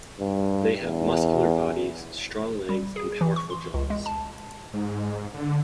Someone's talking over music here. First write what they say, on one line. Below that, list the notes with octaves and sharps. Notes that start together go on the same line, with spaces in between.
They have muscular bodies, strong legs, and powerful jaws.
G2
E2
G3
G#4
E3
C#6
C6
C#2
G#3
A5
G#2
D3